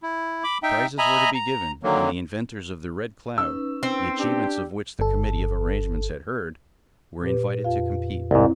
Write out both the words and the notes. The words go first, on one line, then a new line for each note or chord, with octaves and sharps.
Prizes were to be given, and the inventors of the Red Cloud, the achievements of which the committee of arrangements had heard, were invited to compete.
E4
B5 D6
D#4 E5 G5
D#5 E5 G#5 A#5 B5
A#5
D3 D#3 F#3 A#3
C#4 D#4 B4 E6
C4
D4 G4
G1 A4
A#2 G4 B4
F2 F4 F5
C2 G#2 C4 E4